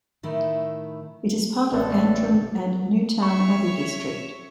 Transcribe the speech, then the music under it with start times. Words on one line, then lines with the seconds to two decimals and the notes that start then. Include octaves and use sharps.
It is part of Antrim and Newtownabbey district.
0.23 A2 D#3 A3 E4
1.73 A1 A2 E3 A4 D5 A5
3.22 C#5 E5 C#6